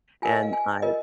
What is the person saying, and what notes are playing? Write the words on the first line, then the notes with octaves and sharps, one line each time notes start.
and I
F4 A#4 G#5
D#5
F5
G#5
F4 A#4 D#5